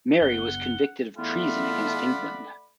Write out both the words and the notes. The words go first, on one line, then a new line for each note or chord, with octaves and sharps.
Mary was convicted of treason against England.
F#1 B3 F#5 G7
E2 A3 F4 D5 E5 F#5 B5